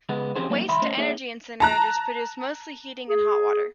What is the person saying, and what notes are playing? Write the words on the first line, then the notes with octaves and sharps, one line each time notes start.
Waste-to-energy incinerators produce mostly heating and hot water.
C#2 G#3 B3
F3 C4 C#4 G4 G#4 C5
F#3 A3 A#3 C4 D#4
C2 D#3 E5 B5 C6
A3 C#4 C5 C#5 D#5
A#3 D#4 G#4 C#5 E5
A5 A#5 F#6
G#4